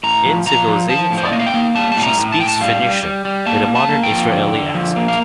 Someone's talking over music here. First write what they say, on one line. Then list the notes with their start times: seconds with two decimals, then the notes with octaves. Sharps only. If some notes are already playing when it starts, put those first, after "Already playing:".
In Civilization V, she speaks Phoenician, with a modern Israeli accent.
0.03 A2 A#5
0.26 F3
0.46 F3 A#5
0.68 F3
0.89 F3 A5
1.11 A2
1.18 C5
1.25 D5
1.32 A#3 D#5
1.39 F5
1.46 G5
1.54 A#3
1.75 G3 A5
1.92 A2 A5
2.03 A#5
2.18 A2
2.32 A5
2.39 A2 G5
2.49 A5
2.61 G3 F5
2.82 G3
3.03 G3
3.25 G3
3.46 A#3 A5
3.68 A#3
3.75 A5
3.89 A#3
4.03 G5
4.10 F3
4.32 D3
4.53 D3
4.75 F3
4.96 A#3
5.08 F5